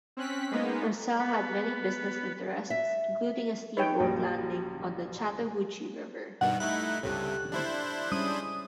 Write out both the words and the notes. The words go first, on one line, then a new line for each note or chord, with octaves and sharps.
Purcell had many business interests including a steamboat landing on the Chattahoochee River.
C4 C#4 F#6 B6
G#3 A#3 B3 D#4
B3
E5
D#4 B4 C#5 G5
A#1 F#2 G3
G2 B2 D#3 G3 F#5
A3 D#4 E4 F#6
C#2 G2 C3 G4 A4 C#5
D4 E4 C5
G3 G#3 C#4 D#6